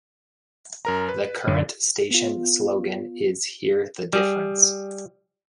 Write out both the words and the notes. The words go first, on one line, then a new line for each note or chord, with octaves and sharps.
The current station slogan is "Hear the Difference".
F#2 A#4 A#5
B4
F#2 D3
B3 F4
G3 G#4